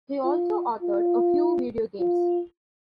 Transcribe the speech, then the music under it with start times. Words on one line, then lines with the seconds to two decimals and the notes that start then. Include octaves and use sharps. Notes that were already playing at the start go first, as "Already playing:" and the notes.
He also authored a few video games.
0.24 F4
0.82 F4
1.99 F4